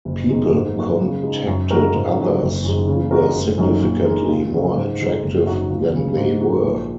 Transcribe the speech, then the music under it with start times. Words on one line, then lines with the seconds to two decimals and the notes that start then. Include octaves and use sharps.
People contacted others who were significantly more attractive than they were.
0.05 F#1
0.29 F#2 D#3 G#3
0.52 G#2
0.76 F#3 A#3 F#4 A#4
1.00 C#3
1.23 G#3 D#4
1.47 F#2
1.71 C#3 G#3 F#4 A#4
1.94 G#2
2.17 F#3 D#4
2.41 F#1
2.64 F#2 D#3 G#3
2.87 C#3
3.11 G#3 F#4 A#4
3.35 F#1
3.58 F#2 D#3 F#3 D#4
3.82 A#2
4.05 G#3 D#4 A#4
4.29 C#2
4.52 C#3 F#3
4.75 G#2
4.99 D#3 G#3
5.22 F#1
5.46 F#2 F#3 D#4 F#4
5.69 C#2
5.93 C#3 F#3
6.17 G#2
6.40 G#3 D#4 F#4
6.64 A#1